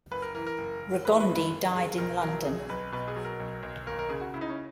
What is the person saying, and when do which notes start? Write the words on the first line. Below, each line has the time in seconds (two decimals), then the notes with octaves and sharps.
Regondi died in London.
0.11 F#1 B4
0.22 A#4
0.34 E3 A#4
0.47 A#4
0.58 F#1
0.82 F#1
1.05 E3 B4
1.20 B4
1.29 F#1
1.36 B4
1.51 F#1
1.75 F#1 G#4
1.98 B1 A#4
2.22 F#3 A#4
2.45 B1 G#4
2.69 B1 B4
2.92 B2 B4
3.08 G#4
3.16 F#3
3.24 A#4
3.40 B1
3.63 B1
3.86 D#2 A#4
3.99 A#4
4.09 C#3 G#4
4.21 F#4
4.34 C#3 E4
4.41 D#4
4.49 C#4